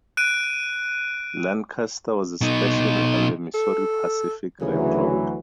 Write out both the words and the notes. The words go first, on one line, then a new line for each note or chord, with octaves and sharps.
Lancaster was a station on the Missouri Pacific Railroad.
F#6 D7 D#7
B2 D#4
A4
D2 C#3 E3 F#3